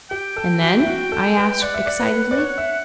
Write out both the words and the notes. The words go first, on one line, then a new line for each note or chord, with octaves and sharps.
"And then?" I asked, excitedly.
G4 G5
A4
F#4
E4
F#4
A4
B4
D5 F#5
E5
D5
B4
D5
C#5
E5